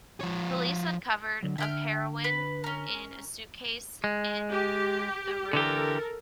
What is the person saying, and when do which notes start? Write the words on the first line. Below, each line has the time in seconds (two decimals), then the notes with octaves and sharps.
Police uncovered of heroin in a suitcase in the room.
0.21 F3 C#5
1.43 D3 F#3
1.58 D3 E5 G5 F6
2.24 B4
2.64 C#4 A#4
4.04 G#3
4.50 G4
5.53 D3 E3 G4 A4 A#4